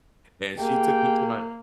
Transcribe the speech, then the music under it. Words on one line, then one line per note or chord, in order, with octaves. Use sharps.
and she took me to my
A#3 G4 G#4 G5